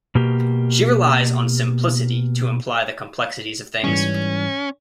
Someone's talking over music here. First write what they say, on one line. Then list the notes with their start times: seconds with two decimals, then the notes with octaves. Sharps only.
She relies on simplicity to imply the complexities of things.
0.15 B2 A#3 G4
3.84 G#2 E3 G3 C#4